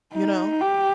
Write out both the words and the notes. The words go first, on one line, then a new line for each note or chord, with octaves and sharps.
you know.
D#4
G4